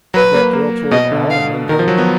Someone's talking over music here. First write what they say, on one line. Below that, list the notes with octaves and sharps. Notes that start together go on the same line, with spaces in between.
Had that girl told all and undone him?
F#3 B4
A#3
A#3
B2 D#5
D3
F5
D#3 A#4
F3
F#3
B3